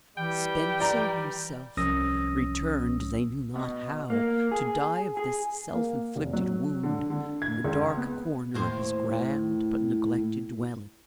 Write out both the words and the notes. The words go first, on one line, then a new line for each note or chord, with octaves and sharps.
Spencer himself, returned they knew not how, to die of this self-inflicted wound, in the dark corner of his grand but neglected dwelling.
E3 G3 G5
D5 A#5
C2 F3 C#4 D#6 E6 A#6
B2
A#3
G#4
G#4
A#3
F1
F#3
D3
D3
G#6
C#2
B3
D#2 A2 C5